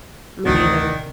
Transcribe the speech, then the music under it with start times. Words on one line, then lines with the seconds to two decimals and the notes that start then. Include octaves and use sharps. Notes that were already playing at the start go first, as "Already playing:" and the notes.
Me either.
0.45 A1 D2 A2 C3 D#3 D5 F#5